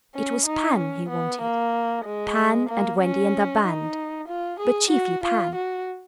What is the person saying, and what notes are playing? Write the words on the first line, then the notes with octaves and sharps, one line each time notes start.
It was Pan he wanted, Pan and Wendy and their band, but chiefly Pan.
C#4
D#4
C#4
B3
A#3
G#3
A#3
C#4
D#4
F4
G#4
F#4
F4
F#4